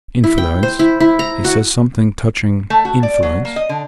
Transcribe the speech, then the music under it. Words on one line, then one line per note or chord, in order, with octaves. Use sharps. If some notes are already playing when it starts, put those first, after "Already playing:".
"Influence; he says something touching influence?"
E4
G5
C5
E4
E4
A#5
F#4
A3
F#4
D5
F#3
A#3
D#5
D3